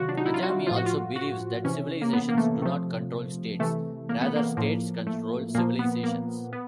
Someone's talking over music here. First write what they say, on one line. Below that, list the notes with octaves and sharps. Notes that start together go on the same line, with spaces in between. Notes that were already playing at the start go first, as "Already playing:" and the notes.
Ajami also believes that civilizations do not control states; rather, states control civilizations.
Already playing: C3 D#3 F#3 F4 F#4
D4
D#4
E4
F4
F#4
A2 F3 F4
F#4
F4
F#4
C3 E3 C#4
A#3
B3
A#3
A3
C3 F3 A3
C3 E3 A3
A#3
B3
A#3
A2 F3 A#3
A3
A#2 F3 A#3
B3
A#3
B3